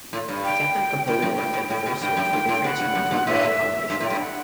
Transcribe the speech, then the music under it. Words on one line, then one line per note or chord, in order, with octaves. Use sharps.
He kept on composing works of diverse sorts for different instrumental and vocal combinations.
A2
G2
G5
G2 G5
F#2
G2
B2
A2
B2
G2 G5
F#2
G2
A2
B2 F#5
G2
F#2
G2
A2 E5
G2 E5
A2
G2 G5
F#5